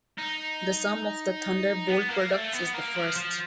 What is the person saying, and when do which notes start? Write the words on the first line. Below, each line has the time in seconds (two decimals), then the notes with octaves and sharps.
The sum of the thunderbolt products is the first.
0.18 D#4
1.88 B3
2.10 A#3
2.31 A3
2.53 B3
2.74 A#3
2.95 F3
3.16 F3